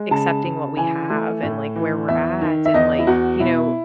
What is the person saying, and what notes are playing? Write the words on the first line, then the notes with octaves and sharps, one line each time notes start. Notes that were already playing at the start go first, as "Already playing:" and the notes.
accepting what we have and, like, where we're at, and, like, you know, i
Already playing: G#3
C#3 A5
C#3
E3 G#5
A3
A2
E3
E2 E5
D#3
E5
E2 D#5
E4
E2 F#4
B2 E4